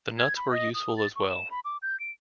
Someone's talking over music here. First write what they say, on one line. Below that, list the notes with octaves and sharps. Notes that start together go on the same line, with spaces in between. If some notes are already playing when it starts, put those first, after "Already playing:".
The nuts were useful as well.
G#6
B5
D#5
D#6
A6
C#6
E7
B5
D6
G6
D7